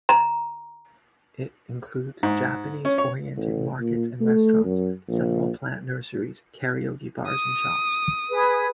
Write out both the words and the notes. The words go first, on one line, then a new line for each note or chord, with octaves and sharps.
It includes Japanese-oriented markets and restaurants, several plant nurseries, karaoke bars and shops.
A#5
G#2
C#4
C#5
A1
A#2
A3
F#2
A#1
D#6
G#4 B4